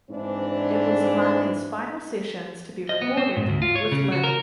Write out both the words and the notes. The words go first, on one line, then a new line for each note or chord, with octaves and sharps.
It was among his final sessions to be recorded with Lynn.
G#2 E3 C4 D4
D#5
B3
C4
G#2
D2
F4
C#5
C#3
F#4
A#4